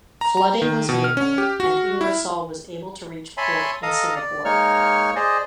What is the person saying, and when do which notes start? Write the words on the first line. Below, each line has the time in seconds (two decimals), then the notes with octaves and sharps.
Flooding was minimal and "Ingersoll" was able to reach port in Singapore.
0.21 A#5
0.37 A#5
0.62 D#3
0.89 B2
1.04 F6
1.17 C#4
1.38 G4
1.60 F#4
2.01 E4
3.37 C#5 E5 G#5 A5 B5 C6
3.83 A4 D#5 F5 A#5 D#6
4.16 D5
4.45 G#3 A#3 D#4 C#5 C#6 F6
5.16 G#4 C5 D5 D#5